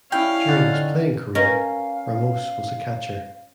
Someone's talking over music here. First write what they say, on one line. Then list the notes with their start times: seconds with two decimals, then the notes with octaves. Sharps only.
During his playing career, Ramos was a catcher.
0.12 G3 C#4 E4 F5 G5
0.48 D3 D#4 D5 F#5 A6
1.35 C#4 A#4 B4 D#5 F5